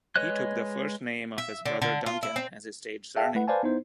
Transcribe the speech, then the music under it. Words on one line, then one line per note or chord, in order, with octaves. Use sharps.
He took the first name of his brother Duncan as his stage surname.
G#3 B4 C#5 D#5 F#6
E5
D3
D3
F4
E4
C4
G#4 E5 F5 G5 A5
A3 E4 B4 F#5
B4 C5 D5 F5 G#5 A5
B3 D#4 E4 C5